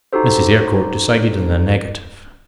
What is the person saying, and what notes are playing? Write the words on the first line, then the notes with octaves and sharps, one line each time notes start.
Mrs. Eyrecourt decided in the negative.
D#4 F#4 G4 A4 C5